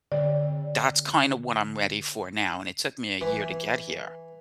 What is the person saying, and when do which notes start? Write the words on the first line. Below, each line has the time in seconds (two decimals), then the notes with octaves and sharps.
that's kinda what I'm ready for now, and it took me a year to get here.
0.12 D3 D5
3.21 E3